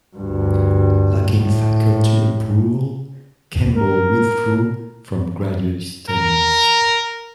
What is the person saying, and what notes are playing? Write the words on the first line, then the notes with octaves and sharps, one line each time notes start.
Lacking faculty approval, Campbell withdrew from graduate studies.
D2 G2
A2
A#4
A#4